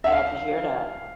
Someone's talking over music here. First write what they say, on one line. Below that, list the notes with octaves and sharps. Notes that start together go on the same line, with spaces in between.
Sad to hear that.
E5
F5